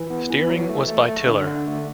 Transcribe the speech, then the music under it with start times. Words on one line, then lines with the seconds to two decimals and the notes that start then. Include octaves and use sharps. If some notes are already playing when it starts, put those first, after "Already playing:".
Steering was by tiller.
Already playing: E3
0.10 B3
0.30 E3
0.50 F#3
0.70 A3
0.88 A3
1.08 A3
1.27 D3
1.47 D3
1.67 A3